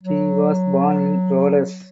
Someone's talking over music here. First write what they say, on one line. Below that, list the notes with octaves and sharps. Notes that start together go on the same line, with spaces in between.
He was born in Rodez.
F#3